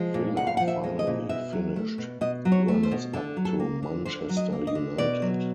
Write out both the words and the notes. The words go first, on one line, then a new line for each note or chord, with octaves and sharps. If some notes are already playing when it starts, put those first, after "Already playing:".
Villa finally finished runners-up to Manchester United.
Already playing: F3 G#3
A#2
A#2 F#5
F5
F#5
F3
E5
G#3
D#5
A#2
B2 E5
F#3
A3
B2
B2 D#5
F#3
C#5
A3
C5
B2
D3 A4
F#3
A4
A#3
D3
D3 C5
F#3
D#5
A#3
D#5
D3
B2 D5
F#3